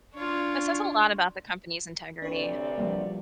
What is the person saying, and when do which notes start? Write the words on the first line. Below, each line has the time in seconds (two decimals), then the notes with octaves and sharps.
That says a lot about the company's integrity.
0.14 D4 F4 C#5
2.22 D2 C3 D4 B4 C#5 D5
2.78 F3 G3 A#3